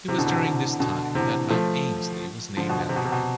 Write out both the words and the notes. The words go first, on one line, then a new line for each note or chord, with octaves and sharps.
It was during this time that Mount Ainslie was named after him.
C3 E3
B2 D3
C3
B2
C3
B2 D3
C3 E3
F3 A3
D3 F3
B2
B2
C3
B2
C3
B2